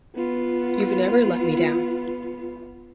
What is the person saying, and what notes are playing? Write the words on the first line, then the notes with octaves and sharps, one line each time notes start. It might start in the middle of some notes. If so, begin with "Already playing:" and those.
You’ve never let me down.
B3 F4